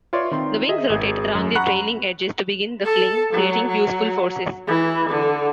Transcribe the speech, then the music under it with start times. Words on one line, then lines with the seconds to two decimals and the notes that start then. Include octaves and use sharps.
The wings rotate around their trailing edges to begin the "fling", creating useful forces.
0.13 F4 B4 C#5 D5 E5 C6
0.31 D#3 C4 C6
0.69 G#4 D#5 E5
0.90 G#1 G#4 G#6
1.35 F#2
1.55 F#5 A#5 B5 C#6 F#6
2.85 A4
3.33 F#3
3.68 F#3
4.67 E3
5.09 D3